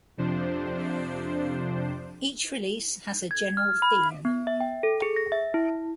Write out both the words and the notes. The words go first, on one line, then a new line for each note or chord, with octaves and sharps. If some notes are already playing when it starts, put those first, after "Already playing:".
Each release has a general theme.
F2 C3 F3 D4 C5
G#6
F6
B5
B3
E5
G5
A4
G#4
A#6
E5
E4